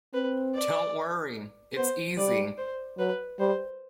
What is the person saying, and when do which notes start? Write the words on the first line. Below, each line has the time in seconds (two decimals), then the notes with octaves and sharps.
Don’t worry, it’s easy.
0.14 C4 B4
0.55 D5
1.76 B3 C5
2.17 G3 D5
2.58 C5
2.98 F#3 B4
3.40 G3 C5